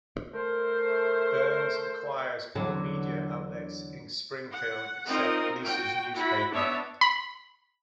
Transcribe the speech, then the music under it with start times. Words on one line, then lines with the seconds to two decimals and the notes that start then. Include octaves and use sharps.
Burns acquires all media outlets in Springfield except Lisa's newspaper.
0.33 A3 A#4 C5
2.55 E2 D3 F#3
4.53 F#5
5.08 C4 D#4 F4 A#4 D#5
5.63 F#4 G5
6.16 E4 F#4 B5
6.52 B3 D4 C#5 E5
7.01 B5